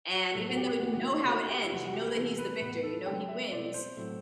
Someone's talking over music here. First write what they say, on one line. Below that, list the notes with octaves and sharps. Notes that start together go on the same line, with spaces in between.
And, even though you know how it ends, you know that he's the victor, you know he wins.
F#4
A2 F#3 B3 A4
F#4
G4
E3 B3 F#4
G4
F#4
E4
E4
D3 A3 C4 F#4
G4
E4
C3 E3 G3 C4 F#4
F#4
G4
B4
C3 E3 A3 C4 A4
A4
B4
A2 E3 B3 B4
A4
D3 F#3 C4 G5
E5
B2 A3 C4 D5
C5
A2 F#3 A3 C4